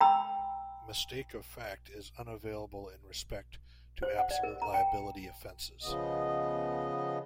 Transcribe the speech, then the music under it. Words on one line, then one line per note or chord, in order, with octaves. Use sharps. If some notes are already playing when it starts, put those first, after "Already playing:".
Mistake of fact is unavailable in respect to absolute liability offences.
G5 A#5 B5 E6
C5
F#5
D5
A#4
A#5
G5
C#3 F3 B3 D#5